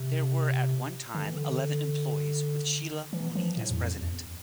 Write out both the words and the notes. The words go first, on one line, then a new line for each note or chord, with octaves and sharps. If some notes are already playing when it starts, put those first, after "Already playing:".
There were at one time eleven employees with Sheila Mooney as President.
Already playing: C3
D3
E3
D3
E3
F3
A2
E2
F2
E2